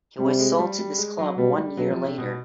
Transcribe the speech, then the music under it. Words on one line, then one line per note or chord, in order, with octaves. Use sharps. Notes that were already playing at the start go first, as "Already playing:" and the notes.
He was sold to this club one year later.
C3 G3
G#3
G3
G3
G#3
F#3
B2 G3
G3
B2 F#3
F3
C3
B2